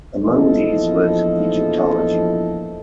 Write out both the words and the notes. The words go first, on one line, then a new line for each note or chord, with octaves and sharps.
Among these was Egyptology.
A#1 E2 F3 E4 A4 D#5